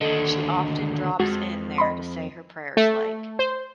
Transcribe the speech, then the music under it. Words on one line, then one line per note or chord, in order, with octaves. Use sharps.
She often drops in there to say her prayers like.
D#2 D3 A4 D#5
F2 G#3 F#4
D#5 B5 C6
A3
C5